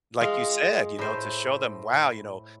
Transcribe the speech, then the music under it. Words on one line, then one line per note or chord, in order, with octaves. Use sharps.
like, you said, you know, to show them, "Wow, you know,
G#3 F4 G#4 F5
A2 C5